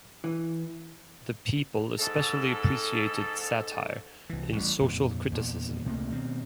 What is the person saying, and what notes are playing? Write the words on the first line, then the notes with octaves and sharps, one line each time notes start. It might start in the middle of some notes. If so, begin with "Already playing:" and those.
The people especially appreciated satire and social criticism.
E3
G#2 A4
C2 E3
A1 G3
F2 A#2
E2 A#2
C#2 C3 A3 A#3
B2 D#3 C4